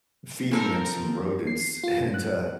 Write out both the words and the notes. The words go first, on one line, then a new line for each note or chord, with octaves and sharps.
feeding them some rodents, and, uh
F3 C4 A4 A#4
C7
F4
F#6